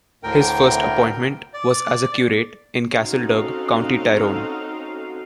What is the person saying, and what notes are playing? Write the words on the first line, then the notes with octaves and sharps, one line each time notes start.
His first appointment was as a Curate in Castlederg, County Tyrone.
D2 A2 A#4 G5
D5
C4 C#4 D#4 F#4 A4 F5